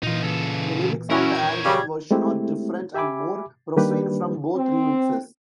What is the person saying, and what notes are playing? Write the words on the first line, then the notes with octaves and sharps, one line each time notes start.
The lyrics on the album version are different and more profane from both remixes.
A#2 E3 D#4 F4
C#3 A4
C#4 E4 F#4 A#4 C#5
G#6
C#3 G3
G#3 A3 C4 E4 G4
G4 E5 G#5 B5 D6
D#3 G3 A#3 D4 G4 B4
C4